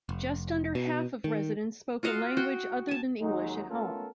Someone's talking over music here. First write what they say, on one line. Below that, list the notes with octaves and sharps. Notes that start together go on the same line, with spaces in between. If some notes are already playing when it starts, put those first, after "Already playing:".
Just under half of residents spoke a language other than English at home.
F1
B2
D#3
F4 F#4 D#5 F5
F#4 G5
G#5 A5
D#2 F#3 G#3 D#4
A3 B3 C#4 F4 A4 A#4